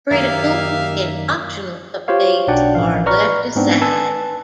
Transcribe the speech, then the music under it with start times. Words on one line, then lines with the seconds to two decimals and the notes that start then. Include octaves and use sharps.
Critical and optional updates are left aside.
0.11 F#2 D#3 A#3 G4 E5 F5 A#5
2.08 F4 G4 C5 C#5 F5
2.48 B1 F#3 D4 D5 F#5 G5
2.75 A1 F3 F5
3.06 B4 D5 A#5 B5 C#6 F6
3.56 G#2 B3 C4 D4
3.82 B4 G#5 A5 E6